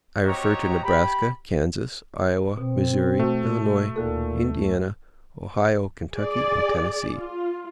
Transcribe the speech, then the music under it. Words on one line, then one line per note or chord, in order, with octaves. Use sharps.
I refer to Nebraska, Kansas, Iowa, Missouri, Illinois, Indiana, Ohio, Kentucky and Tennessee.
C4 F#4 G4 C#5 D#5 A#5
G4 B5
B2 C4
A3 F#4
D#2 A#2 A4
G#4 D5
F4